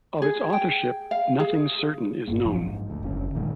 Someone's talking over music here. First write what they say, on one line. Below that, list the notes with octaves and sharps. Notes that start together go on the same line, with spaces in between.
Of its authorship nothing certain is known.
G#4
G5
F5
G#4
G#1 G2 A#3
A#1 F#2 F3
G#2
D2
F#1 D3 C#4
A#2 D#3 G3 G#3